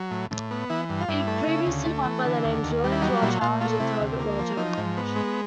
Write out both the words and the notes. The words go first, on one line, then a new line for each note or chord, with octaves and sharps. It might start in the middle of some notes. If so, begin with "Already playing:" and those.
It previously went by the names Williams World Challenge and Target World Challenge.
Already playing: F#3
A2
A2
B3
E3 E4
G2
F4
G2 E4
A3
C#3
D2
A3
E3
D3
D#2
D#2
G3
E4
F#3 D#4
A#2 E4
A#2 F4
A3 F4
C3 E4
D2
A#3
F3
F3 D#4
G#2
B3
G#3